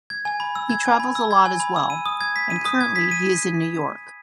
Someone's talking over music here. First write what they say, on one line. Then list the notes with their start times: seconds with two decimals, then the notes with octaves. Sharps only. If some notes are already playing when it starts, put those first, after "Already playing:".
He travels a lot as well, and currently, he is in New York.
0.10 G#6
0.25 G#5
0.40 B5
0.55 E6
0.70 G#6
0.86 G#5
1.00 B5
1.15 E6
1.31 G#6
1.46 G#5
1.60 B5
1.76 E6
1.90 D#7
2.06 D#6
2.21 G#6
2.36 B6
2.50 D#7
2.65 D#6
2.81 G#6
2.96 B6
3.11 D#7